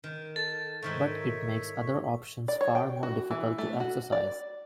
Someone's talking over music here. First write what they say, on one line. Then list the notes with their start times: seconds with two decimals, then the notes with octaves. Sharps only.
But it makes other options far more difficult to exercise.
0.04 D#3
0.36 A4 A5
0.82 G#2 D#3 A3 C#5 E5
2.48 D5
2.61 C#5
2.75 G5
3.03 F#4
3.31 E3
3.58 A3
3.80 F#4
4.12 D5